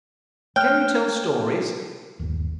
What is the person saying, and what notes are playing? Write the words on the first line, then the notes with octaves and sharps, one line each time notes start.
'Can you tell stories?
A3 C#5 G5 F6 F#6
G1 D#2